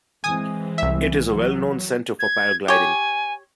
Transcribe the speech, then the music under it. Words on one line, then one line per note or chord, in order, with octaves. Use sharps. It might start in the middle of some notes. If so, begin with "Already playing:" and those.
It is a well-known centre for paragliding.
E3 G#3 C4 G#5 D#6
C2 E5
E3 F#3
G#6
G4 C#5 G#5